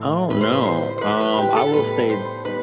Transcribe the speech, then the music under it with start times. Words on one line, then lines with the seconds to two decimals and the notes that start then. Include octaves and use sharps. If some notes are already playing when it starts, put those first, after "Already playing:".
I don't know. Um, I will say
Already playing: A2 E3 A3 E4
0.30 A2 E3 G3 B4
0.41 C5
0.51 B4
0.65 C5
0.98 C5
1.01 A2 E3 G3 B4
1.20 B4
1.38 G4
1.56 A4
1.73 A2 G3 B3 D#4 B4
2.10 C5
2.45 G3 B3 D#4 B4